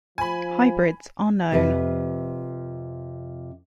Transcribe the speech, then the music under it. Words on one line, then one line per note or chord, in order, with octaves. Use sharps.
Hybrids are known.
F3 G#5 B5
F2 C3 F3 B4 E5 A5